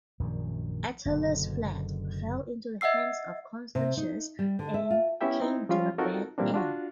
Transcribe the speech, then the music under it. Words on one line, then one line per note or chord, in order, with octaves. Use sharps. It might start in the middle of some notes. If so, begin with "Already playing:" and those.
Attalus fled, fell into the hands of Constantius, and came to a bad end.
A#1 F#2 D#3
F#1 B2 D3
D#5 E5 F#5 E6 C7
C3
D#4
G3
D3
E5
F4
B3 C#4 E4 G4 E5 G5
C4 D#4 E4
F3 G3 C#4 F4
C4 D#4 F4 F#4 A4 A#4
A#2 E3 G3 A#3 C4 D4
D4 F4 F#4